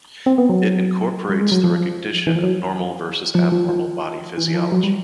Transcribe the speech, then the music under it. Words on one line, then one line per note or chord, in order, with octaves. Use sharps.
It incorporates the recognition of normal versus abnormal body physiology.
C4
B3
F#3
G3
G#3
F#3
F3
E3
F3
F#3
F3
F3
F3
E3
E3
F3
F#3
G3